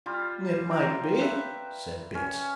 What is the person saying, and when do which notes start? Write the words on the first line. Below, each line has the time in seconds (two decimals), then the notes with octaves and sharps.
"It might be," said Bince.
0.06 G3 F4
0.71 G5 A#5
1.19 B4 E5
2.15 C#4